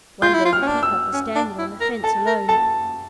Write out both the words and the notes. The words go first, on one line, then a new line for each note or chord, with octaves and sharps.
One day the Peacock was standing on the fence alone.
F4 G6
E4
F4
F6
C#4
D4
E6
C#4
D4
E4
A#4
A4 A5
A#4
A4 A5